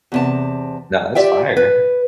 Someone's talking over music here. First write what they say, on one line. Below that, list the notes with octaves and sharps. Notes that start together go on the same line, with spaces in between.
No, that's fire.
E2 C3 A5
F4 G4 D5 E5 G5
B4